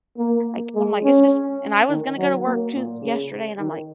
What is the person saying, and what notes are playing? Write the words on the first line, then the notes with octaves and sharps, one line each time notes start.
like, I'm, like, it's just and I was gonna go to work Tues yesterday, and I'm, like
A#3
G#3
C#4
D#3
F#3
A#3
A#2
C#3
D#3